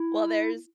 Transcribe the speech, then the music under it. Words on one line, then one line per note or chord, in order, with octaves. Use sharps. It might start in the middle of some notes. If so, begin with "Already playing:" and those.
Well, there's
Already playing: E4